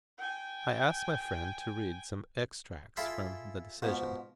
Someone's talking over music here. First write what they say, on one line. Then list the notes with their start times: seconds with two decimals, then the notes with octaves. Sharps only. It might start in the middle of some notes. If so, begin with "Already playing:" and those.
I ask my friend to read some extracts from the decision.
0.18 G5 G#5
2.97 E4 F4 G#4 A4 B5 C6
3.82 G#2 B2 F3